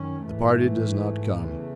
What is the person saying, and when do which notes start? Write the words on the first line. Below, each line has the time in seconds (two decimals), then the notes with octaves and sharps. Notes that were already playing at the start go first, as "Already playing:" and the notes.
The party does not come.
Already playing: F#2 D#3 C#4
0.25 G#2 E3 A3
1.40 E2 C#3 E3 A3